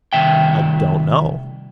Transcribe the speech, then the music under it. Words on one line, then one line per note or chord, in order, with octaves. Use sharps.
"I don't know."
C2 F2 D#3 E5 G5